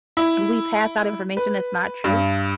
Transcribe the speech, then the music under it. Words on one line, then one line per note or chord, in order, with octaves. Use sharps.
We pass out information that's not true,
E4
B4
G2